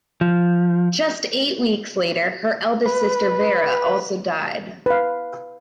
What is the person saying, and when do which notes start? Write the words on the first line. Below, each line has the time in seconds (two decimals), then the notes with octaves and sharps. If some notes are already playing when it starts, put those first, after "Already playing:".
Just eight weeks later, her eldest sister Vera also died.
0.21 F3
2.86 B4
4.86 B4 F5